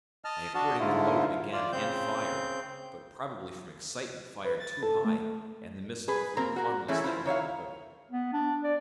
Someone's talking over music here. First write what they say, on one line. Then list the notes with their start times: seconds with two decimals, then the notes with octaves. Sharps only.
I accordingly loaded again, and fired; but, probably from excitement, fired too high, and the missile flew harmlessly over the boat.
0.25 D#5 A5 F6
0.55 D4 F#4 D#5 A5
0.80 G#2 D3 E4 F4
1.53 F4 D5
1.73 C#3 C4 G6
4.44 B4
4.60 A6
4.83 A4
5.05 A3
6.08 G#4 B4
6.37 A#3 C4 A#4
6.56 F#4 A#4
6.88 E3 A3 C#4 E4 G#4
7.04 E4 F4 C5
7.26 D#3 C#5 E5 F5
8.11 B3
8.33 D4
8.64 D5